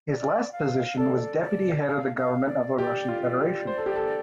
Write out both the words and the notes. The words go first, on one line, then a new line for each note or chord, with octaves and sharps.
His last position was Deputy Head of the Government of the Russian Federation.
D5
F5
A4 D5
D5
F5
F5
D5
G4 D5
F4
D5
G4
C5
A4
G4
A4